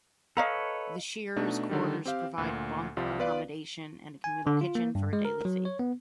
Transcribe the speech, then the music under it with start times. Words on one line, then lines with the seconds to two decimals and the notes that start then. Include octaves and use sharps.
The shearers' quarters provide bunk accommodation, and a communal kitchen for a daily fee.
0.37 A4 B4 C#5 D#5 F5 A#5
1.36 B2 A3 D4 D#4
1.69 D3 D#3 G3
2.05 C4 G4 F5
2.38 D2 A#2
2.97 C2 F3 G3 F4
3.18 B3 F4 B4 D5 F5
4.24 G#5
4.47 D3
4.61 F4
4.75 A#3
4.95 G2
5.13 G#3
5.25 A#4
5.45 F#3
5.65 C#5
5.79 B3